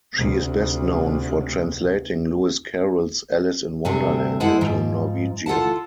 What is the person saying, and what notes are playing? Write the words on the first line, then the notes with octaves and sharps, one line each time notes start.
She is best known for translating Lewis Carroll's "Alice in Wonderland" into Norwegian.
D2 C3
G2 C3 A3 G#4
G#3 E4 A4 C5 F#5
G#2 F3
F4 A4 F#5 A5